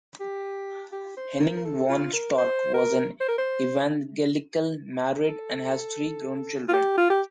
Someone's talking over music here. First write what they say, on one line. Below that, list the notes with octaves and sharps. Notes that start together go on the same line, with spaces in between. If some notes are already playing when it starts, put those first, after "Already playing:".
Henning von Storch was an Evangelical, married and has three grown children.
G4
G4
C5
A#4
A#4
A4
F4
A#4
C5
A#4
C5
A#4
C5
A#4
A4
F4
G4
F4
G4